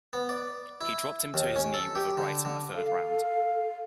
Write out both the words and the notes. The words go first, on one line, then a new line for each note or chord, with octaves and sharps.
He dropped him to his knee with a right in the third round.
B3
D5
E4
D#2
C#4
A4
G4
D3
D3
A4 F5